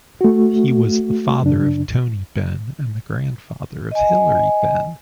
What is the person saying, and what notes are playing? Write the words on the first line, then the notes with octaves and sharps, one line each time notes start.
He was the father of Tony Benn and the grandfather of Hilary Benn.
A3 F#4
F#2 C#3 D4
D#5 G#5